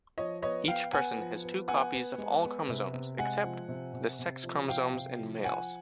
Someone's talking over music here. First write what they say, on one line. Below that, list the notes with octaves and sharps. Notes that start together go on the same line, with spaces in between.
Each person has two copies of all chromosomes, except the sex chromosomes in males.
F3 C#5 D#5
B3 C#5 D#5
B3 F5 G5
B3 F#5 G#5
F3
B3
B3 F#5 G#5
B3
G#3
B3
C3
C3
G#3 F#5 G#5
F3
C3
C3
C3
F3
C3 F5 G5
C3
F3
F3 F#5 G#5